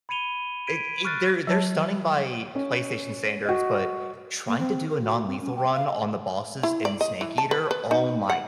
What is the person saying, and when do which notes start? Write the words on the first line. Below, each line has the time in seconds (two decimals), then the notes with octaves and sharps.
f it it they're they're stunning by PlayStation standards, but trying to do a non-lethal run on the bosses and Snake Eater, oh my
0.09 B5 G#6 C#7 D#7 F7 G7
0.67 G#6 B6 D7 D#7
1.05 C#6 F6 F#6 A6 C7
1.47 F#3 C#5 A5
2.55 C#4
3.45 F#4 D#5
4.47 A#3
4.59 C4
4.89 A#4
5.02 F#4
5.26 C4
5.41 C#4
5.56 G5
5.74 F5
5.88 D#5
6.63 E4
6.85 D5
7.01 D#5
7.21 E3
7.38 A5
7.51 B4
7.71 B4
7.91 D#4
8.30 F#5